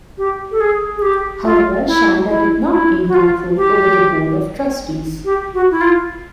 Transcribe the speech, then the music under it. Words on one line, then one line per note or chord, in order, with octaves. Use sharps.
However, Shanda did not gain control over the board of trustees.
G4
A4
G#4
G#4
G4
F4
E4
E4
E4
F#4
F4
G4
G4
F#4
E4
F4